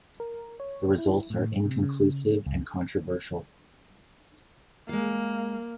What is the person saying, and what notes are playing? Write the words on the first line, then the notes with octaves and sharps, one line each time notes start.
The results are inconclusive and controversial.
A#4
C#5
E4
A2
C3
C#3
C#2
G#3 A#3 F5